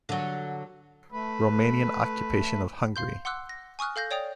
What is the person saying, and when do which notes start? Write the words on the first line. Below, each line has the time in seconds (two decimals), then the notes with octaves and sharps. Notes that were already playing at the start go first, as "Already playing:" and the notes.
Romanian occupation of Hungary.
0.09 D3 F#3
1.12 A3 B4
2.96 F5 C6 G6
3.25 F#5 C6 D6 E6 F#6
3.49 A#6
3.79 G#5 C#6 D#6 F6 F#6
3.96 A4 F5 G6 A#6
4.11 C#5 D5 G5 D#6 F7